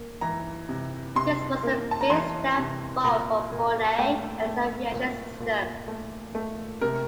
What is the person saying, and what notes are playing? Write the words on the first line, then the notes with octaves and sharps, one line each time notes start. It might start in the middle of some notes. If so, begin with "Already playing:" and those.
This was a big step forward for Bonaire and its aviation system.
Already playing: A#3
E3 A#5
C3
C3 C6
A#3
A5
A#5
E3 C6
C3
A#2 A#5
A#2
A3 G5
A3
A#2
A#2
A3
A3
C3 A#4